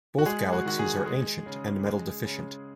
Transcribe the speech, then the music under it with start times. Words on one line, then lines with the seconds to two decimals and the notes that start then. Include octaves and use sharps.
Both galaxies are ancient and metal-deficient.
0.18 F#4
0.26 G#3 G#4
0.53 F#4
0.66 D#3 F#4
0.79 G#4
1.06 G#3 G#4
1.46 C#3
1.85 G#3
2.25 C#3